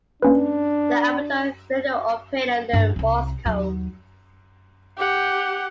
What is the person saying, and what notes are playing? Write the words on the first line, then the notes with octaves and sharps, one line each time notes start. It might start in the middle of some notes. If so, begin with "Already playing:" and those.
The amateur radio operator learned Morse Code.
A#3 C#4 D4 B4
G2
C2 E4
D#2 F#3
G4 F#5